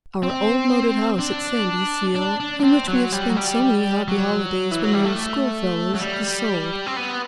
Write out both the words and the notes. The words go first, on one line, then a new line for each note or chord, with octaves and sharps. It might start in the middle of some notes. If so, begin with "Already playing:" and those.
Our old moated house at Sandyseal, in which we have spent so many happy holidays when we were schoolfellows, is sold.
C4
D4
D4
D4
D4
C4
F#3
G3
F#3
G3
F#3
E3
F#3
G3
A3
F#3
G3
C4
B3